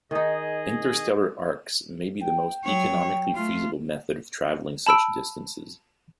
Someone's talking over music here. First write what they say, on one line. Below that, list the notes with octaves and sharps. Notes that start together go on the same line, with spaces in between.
Interstellar arks may be the most economically feasible method of traveling such distances.
D#3 D#4 G#4 D#5
G5
F#3 C#5
A3 F4
A5 B5 E6 D7